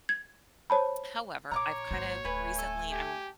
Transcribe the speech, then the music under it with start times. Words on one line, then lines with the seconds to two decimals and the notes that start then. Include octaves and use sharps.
however, I've, kind of, recently I'm
0.09 G#6
0.70 C5 C#5 A5 B5
1.51 A#1 C#5 A#5 C#6 D6
1.91 G#1 A#3 F#4 C5
2.25 D1 A3 B4 G#5
2.59 A4
2.91 G4